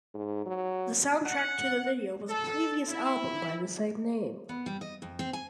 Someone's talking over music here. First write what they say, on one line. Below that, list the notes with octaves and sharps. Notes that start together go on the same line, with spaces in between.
The soundtrack to the video was a previous album by the same name.
G#2
F#3
F#5
A4
E4
B3
G3
D#5
F2
C4
G#5